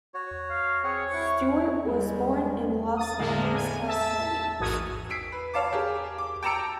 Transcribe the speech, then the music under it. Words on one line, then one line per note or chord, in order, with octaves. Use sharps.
Stewart was born in Los Angeles, California.
F#4 C#5
F5
C4 G#4 C#5 F#5
E4 F#5 C#6
G3 G#3
D#6 A6
A2 D3 G#3 A#3
A2 G#5
E5 A5 E6
A1 G#2 F#4 A#4 D#6 G#6
E6 B6 C7 D7
B4
C#5 F5 A5 D6
G4 G#4 A#4
D6
G5 A5 A#5 E6 C#7 D7